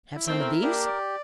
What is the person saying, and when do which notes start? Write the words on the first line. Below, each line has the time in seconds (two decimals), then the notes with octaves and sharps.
"Have some of these?"
0.15 E4
0.27 A3 C4
0.40 A#4
0.63 A#3 D4 G4
0.86 D5